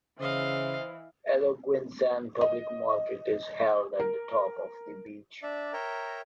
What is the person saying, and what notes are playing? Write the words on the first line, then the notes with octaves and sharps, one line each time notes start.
Aloguinsan public market is held at the top of the beach.
C#3 E3 C5 D#5 F5
D#5
A#4
D4 D5 E5
A#4 C#5 E5 G5 A#5